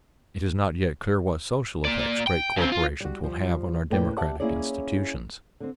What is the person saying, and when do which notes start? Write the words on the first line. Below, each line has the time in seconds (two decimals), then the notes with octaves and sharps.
It is not yet clear what social effects great corporations will have on our democratic institutions.
1.85 A#3 D5
2.27 G5
2.57 C#3 C4
2.72 F4
3.00 G3 F#4
3.24 F3 G3 C5
3.90 A2 C#3 A#3 B4 D5 G5
4.17 G4 D5 E5 F#5 A5
4.40 A#3 C#4 E4 G#4 C#5 D5
5.60 D3 C4